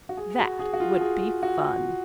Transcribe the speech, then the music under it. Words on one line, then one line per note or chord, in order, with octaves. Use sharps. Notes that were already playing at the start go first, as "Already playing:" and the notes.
That would be fun!
F#4
G#4
F#4
G#4
F#4
F4
G#4
F#4